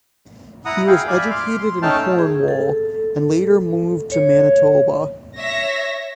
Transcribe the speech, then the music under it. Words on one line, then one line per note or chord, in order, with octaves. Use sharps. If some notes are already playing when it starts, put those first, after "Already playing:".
He was educated in Cornwall, and later moved to Manitoba.
E4 F#5 A#5 D#6
E4 G#4 F5 G5
D5 E5 F5 G#5 B5
C6 D6 F6
C6
A3 C#4 D#4 G5 A5 F6
G#4
A4
C#5
C#5 E5 A#6